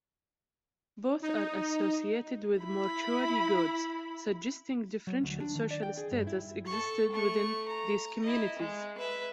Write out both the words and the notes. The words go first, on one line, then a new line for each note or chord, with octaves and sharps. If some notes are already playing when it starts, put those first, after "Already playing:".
Both are associated with mortuary goods, suggesting differential social status existed within these communities.
D#4
E4 B5
F#3
D2
D4
D#3
D5
G5
G#4
G2
E4
A4 C#6
A3 C#6
A#5
E4 D#5
G#3
B4 E5